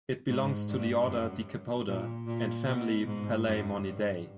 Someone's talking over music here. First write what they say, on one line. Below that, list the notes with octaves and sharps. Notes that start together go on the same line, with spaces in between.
It belongs to the order Decapoda and family Palaemonidae.
G#2
G2
F#2
A#2
A#2
B2
G#2
F#2
G2